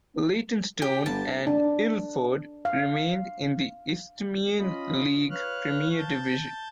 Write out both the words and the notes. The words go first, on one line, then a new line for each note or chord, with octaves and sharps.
Leytonstone and Ilford remained in the Isthmian League Premier Division.
G4
G1 A5
D4
F5
C#4 F4 D#5 B5
B4 C#5 F5 F6 F#6
A5 G6 A6